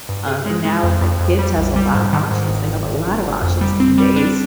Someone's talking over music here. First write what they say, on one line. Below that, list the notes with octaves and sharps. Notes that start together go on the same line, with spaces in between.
um, and now, it's like, kids has a lot of options; they have a lot of options these days.
G2
G#4
G#3
G#3
F2
F2
F2
G3
A#1
G3
G#2
D#3
G#2
G1
G1
G2
G1
G1
F2
G3
C4
G3
D4